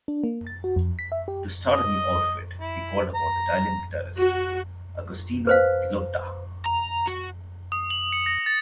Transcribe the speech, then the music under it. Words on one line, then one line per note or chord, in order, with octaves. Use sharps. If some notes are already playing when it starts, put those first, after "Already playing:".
To start a new outfit he called upon the Italian guitarist Agostino Tilotta.
D4
A#3
A6
F#4
F2
B6
E5
G4
D#5
E4
A#5
F#4
B4 C5 F5
A#5
F#4
D#6
F#7
C#7
A#6
A6